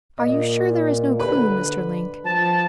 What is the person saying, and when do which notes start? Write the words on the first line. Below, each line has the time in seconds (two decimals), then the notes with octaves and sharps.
"Are you sure there is no clue, Mr. Link?"
0.19 A#2 D#5
1.20 D3 B4
2.24 F3 A5